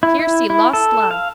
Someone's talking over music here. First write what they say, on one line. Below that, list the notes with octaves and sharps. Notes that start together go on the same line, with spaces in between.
Here see lost love.
E4
E4
E4
A4
F5